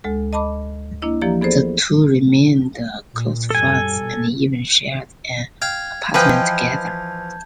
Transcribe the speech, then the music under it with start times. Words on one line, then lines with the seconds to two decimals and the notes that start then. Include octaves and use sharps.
The two remained close friends and even shared an apartment together.
0.04 D2 G#3 A4
0.33 D#5 A5 B5 D6
1.02 A#3 D4 E4 D#5
1.22 E3 F3 A#3 G4 D5 A#5
1.41 B3 G#4 A4 C5 D5
3.13 A#2
3.50 F#2 G3 A4 G#5
3.99 B2
5.62 F5 G5 G#6
6.14 E3 F3 B4 D#5 G5 A5 G6